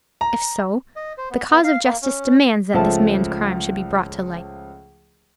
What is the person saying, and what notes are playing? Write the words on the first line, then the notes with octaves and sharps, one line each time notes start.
If so, the cause of justice demands that this man's crime should be brought to light.
A#5
D#5
C5
B3
B3
F5
A#3
C#4
C#2 F3 A3 A5